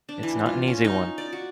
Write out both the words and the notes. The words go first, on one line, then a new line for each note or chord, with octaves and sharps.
It's not an easy one.
D4
E3
F4
C#4
D#4
D5
F#4